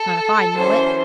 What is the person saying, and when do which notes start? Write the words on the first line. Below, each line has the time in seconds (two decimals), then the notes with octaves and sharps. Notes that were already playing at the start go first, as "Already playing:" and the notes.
Not if I know it.'
Already playing: A4
0.55 F#2 E3 C5